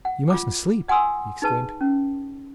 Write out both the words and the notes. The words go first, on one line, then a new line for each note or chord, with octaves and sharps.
"You mustn't sleep!" he exclaimed.
F#5
F4 D6
D#5 F#5 G#5 C6 D#6 E6
D#4 G#4 B4 A5
C#4